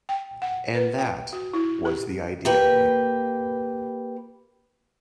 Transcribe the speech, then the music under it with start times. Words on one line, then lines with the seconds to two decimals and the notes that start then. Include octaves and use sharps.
And that was the idea of it.
0.09 G5
0.42 F#5
0.75 B4
0.98 G5
1.33 F#4
1.53 E4
1.85 G4
2.45 A#3 G4 B4